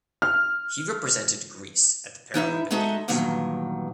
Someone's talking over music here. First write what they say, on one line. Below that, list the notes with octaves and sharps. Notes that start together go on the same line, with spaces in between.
He represented Greece at the Paralympic Games.
F6
E3 D#4 E4 E5
G#3 D#4 F#4 A4 D#5 E5
E2 G2 A#2 D#3 F#3